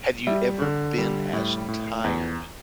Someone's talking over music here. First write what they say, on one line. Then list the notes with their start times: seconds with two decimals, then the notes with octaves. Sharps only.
Have you ever been as tired
0.27 G3 E5
0.62 D3
0.98 G3
1.33 A2
1.68 A2
2.04 E2